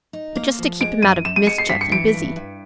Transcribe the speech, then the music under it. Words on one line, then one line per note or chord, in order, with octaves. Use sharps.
But just to keep him out of mischief, and busy.
D#4
A#3
F3
G#3 D7
F#2 D#7
F#2 E7
D#7
G#3 C#7
C7
G2 B6
C#7
E3 D7
G2
G2